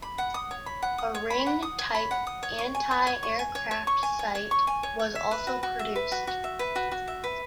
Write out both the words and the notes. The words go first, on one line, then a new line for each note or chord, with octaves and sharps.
A ring-type anti-aircraft sight was also produced.
B5
F#5
D#6
C#5
B5
F#5
D#6
C#5
B5
F#5
D#6
C#5
B5
F#5
D#6
C#5
C#6
G#5
C#5
C#5
C#6
G#5
C#5
C#5
C#6
G#5
C#5
C#5
C#6
G#5
C#5
C#5
E5
B4
F#4
F#4
E5
B4
F#4
F#4
E5
B4
F#4
F#4
E5
B4